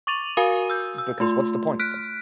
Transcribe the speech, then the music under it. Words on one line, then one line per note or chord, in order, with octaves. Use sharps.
Because what's the point of them?
C#6 D6 A6 D#7 F7 F#7
F#4 A#4 F5 G#5 D#6 D#7
E6 G6
E6
A3 F4 C6
F6 F#6 B6 D7